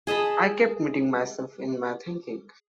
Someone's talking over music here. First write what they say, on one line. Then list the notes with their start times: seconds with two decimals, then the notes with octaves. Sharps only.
I kept meeting myself in my thinking.
0.07 G#4 D#5 A5 B5